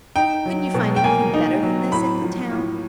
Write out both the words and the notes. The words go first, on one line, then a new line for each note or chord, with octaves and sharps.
Couldn't you find anything better than this in the town?
D#4 G5
F#3
B2
G5
A#3 G#5
D#4
F#3
A2 B5
F3
A2